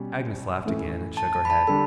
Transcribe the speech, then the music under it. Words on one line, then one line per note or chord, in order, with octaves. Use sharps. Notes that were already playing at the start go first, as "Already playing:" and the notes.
Agnes laughed again, and shook her head.
Already playing: B2 G3 C#4
A2 E3 A3 C#4
A5
A5
B5
A5
D3 G3 D4 A4 B5